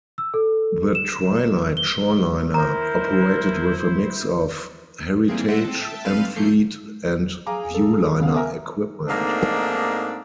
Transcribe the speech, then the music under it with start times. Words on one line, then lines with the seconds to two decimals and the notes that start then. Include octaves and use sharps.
The "Twilight Shoreliner" operated with a mix of Heritage, Amfleet, and Viewliner equipment.
0.18 E6
0.34 A4
0.95 E7
1.77 G7
2.54 E4 A#4 C5 A#5
5.28 E3 G3 A#3 C4 G#4
5.48 G3 G#3 C5 E5 F#5
5.64 C4 A4
5.81 E5 G5 A5
6.05 C4 A4 B4 F5 D#7
6.36 F3 A3 A#3 G6 C7 C#7
7.46 G#4 F5 G#5 A#5 D6
7.74 A4
8.20 C#3 B3 F5
8.34 A#4 E5 G#5
9.08 G#2 A3 A#3 C4 D4 D#4